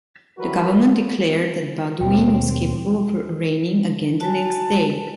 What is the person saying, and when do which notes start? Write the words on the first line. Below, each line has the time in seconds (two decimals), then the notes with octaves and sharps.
The government declared that Baudouin was capable of reigning again the next day.
0.38 E3 F#3 G3 F#4 A#4 B4
2.01 D#2 B2 C4 G5
4.20 F#4 G#5 A5